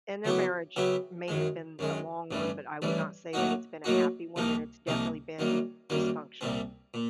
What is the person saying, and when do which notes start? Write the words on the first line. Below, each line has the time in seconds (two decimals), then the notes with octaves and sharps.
And their marriage may have been a long one, but I would not say that it's been a happy one, and it's definitely been dysfunctional.
0.25 C#3 F#3 B3 E4 G4
0.76 C#3 F#3 B3 E4 G4
1.28 F#2 D#3 G#3
1.79 F#2 D#3 G#3
2.31 A1 G2 E3 G3
2.82 A1 G2 E3 G3
3.33 A2 F#3 A#3 D#4 F#4
3.84 A2 F#3 A#3 D#4 F#4
4.36 C2 C3 F3 A#3 D#4
4.87 C2 C3 F3 A#3 D#4
5.39 F#2 D#3 G3 A#3
5.90 F#2 D#3 G3 A#3
6.41 C2 A#2 G3 C4
6.94 A#2